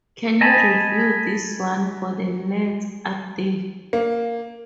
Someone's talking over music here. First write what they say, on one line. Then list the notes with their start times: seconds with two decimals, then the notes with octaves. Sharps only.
Can you review this one for the lads up there?
0.41 D#5 G#5 A5 B5
3.93 A#3